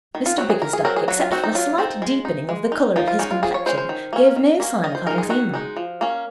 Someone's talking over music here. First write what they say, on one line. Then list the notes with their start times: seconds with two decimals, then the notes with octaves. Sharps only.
Mr Bickersdyke, except for a slight deepening of the colour of his complexion, gave no sign of having seen them.
0.15 D#3
0.26 F4
0.38 F#3 C4 F#4
0.50 G#4
0.61 D#3 A#4
0.73 G#4
0.85 F#3 C4 A#4
0.96 G#4
1.08 F#3 F#4
1.20 F4
1.32 C4 D#4 F#4
1.44 D#4
1.55 F#3 F4
1.78 C4 D#4
2.02 G#3
2.25 D#4
2.49 G#3
2.72 D#4
2.96 F3 D#4
3.08 F4
3.19 G#3 C#4 D#4
3.31 F4
3.43 F3 G#4
3.54 C#5
3.66 G#3 C5
3.69 C#4
3.78 C5
3.89 D#3
4.13 A#3 C#4
4.36 D#3
4.60 A#3 C#4
4.83 D#3 D#5
4.95 C5
5.06 G#3 D#4 A#4
5.18 G#4
5.30 D#3 F#4
5.54 G#3 D#4
5.77 F3
6.01 A#3 C#4